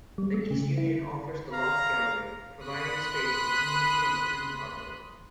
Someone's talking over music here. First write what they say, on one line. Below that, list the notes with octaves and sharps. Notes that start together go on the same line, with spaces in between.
The East Union offers the Loft Gallery, providing space for community and student artwork.
G3
A3
C#3
E4
F5 A#5
B5 C6 D#6 F#6 B6